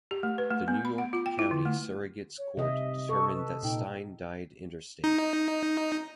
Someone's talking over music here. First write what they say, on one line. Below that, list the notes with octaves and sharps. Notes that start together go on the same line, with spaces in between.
The New York County Surrogate's Court determined that Stein died intestate.
G4
A3
B4
A3
B3
B5
F#5
F4
G5
E4
D3
A3
C#5
C3 D#5 E5
A4 C#6
B4
A#2 D#4 G5
D#4